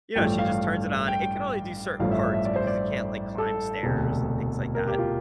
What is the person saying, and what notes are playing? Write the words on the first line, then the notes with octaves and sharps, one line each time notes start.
you know, she just turns it on. It can only do certain parts because it can't, like, climb stairs and things like that,
A1 G2 F3 A3 G5
F5
G5
A1 G2 F3 A3 F5
E5
E5
E5
D5
C5
D5
A4
E1 D2 C3
A#4
G4
F4